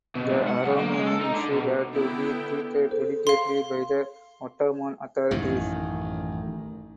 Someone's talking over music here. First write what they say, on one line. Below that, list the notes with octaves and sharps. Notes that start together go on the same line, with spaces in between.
The Aromanian issue had to be treated delicately by the Ottoman authorities.
B2
G#2
F#5
B1
A#3
G#3
A4
D#4
D3
B2
D3 B3 E4 G5
G#4 A4 C5
F5 C6
A1 F#2 D#3